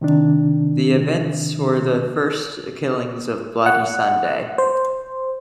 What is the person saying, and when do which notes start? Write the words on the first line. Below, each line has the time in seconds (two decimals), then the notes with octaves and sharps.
The events were the first killings of Bloody Sunday.
0.01 C3 D#3 D4
3.66 F#5
4.58 C5